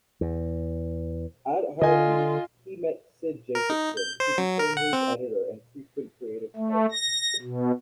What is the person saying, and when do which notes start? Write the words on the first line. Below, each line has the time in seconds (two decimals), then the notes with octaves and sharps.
At Harvey, he met Sid Jacobson, who became his editor and frequent creative partner.
0.21 E2
1.81 D3 F4 D#5 G#5
3.55 A#4
3.70 D#4
3.97 G6
4.20 C5
4.38 F#3
4.59 A#4
4.77 F#5
4.93 C4
6.56 A3
6.92 A#6
7.42 B2